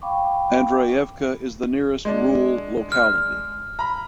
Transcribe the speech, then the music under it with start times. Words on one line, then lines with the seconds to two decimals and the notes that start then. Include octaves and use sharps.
Andreyevka is the nearest rural locality.
0.01 F5 G5 B5 C#6 D6
2.05 G#3 D4
2.92 F6
3.79 A#5 B5